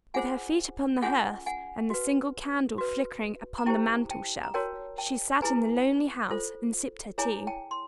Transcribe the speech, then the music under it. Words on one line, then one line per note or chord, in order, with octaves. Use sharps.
With her feet upon the hearth and the single candle flickering upon the mantel shelf, she sat in the lonely house and sipped her tea.
F4 G#4 C5 F#5 G#5
C#4 F4 G#4 F#5 G#5
F#5 G#5
F#4 B4
F#4 B4
A#5
E4 G4 C5 G5 A5
G5 A5
A#5
F#4 A#4 C#5 G5 A5
G5 A5
E4 G#4 B4 G#5 A#5
F4 A4 C5
E4 G#4 C#5 G#5 A#5
G5 A5
C6